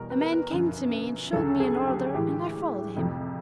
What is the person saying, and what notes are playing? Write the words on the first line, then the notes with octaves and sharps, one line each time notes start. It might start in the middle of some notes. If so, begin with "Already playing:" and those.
A man came to me and showed me an order and I followed him.
Already playing: E2 B2 G3 A#4
B4
A#4
B4
F#2 D3 F3
D2 C#3 F#3 A4
G#4
G4
A2 E3 G#3 G4
F2 C3 F3 A3